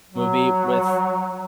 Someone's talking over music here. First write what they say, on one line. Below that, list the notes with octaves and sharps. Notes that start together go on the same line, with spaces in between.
movie with,
F#3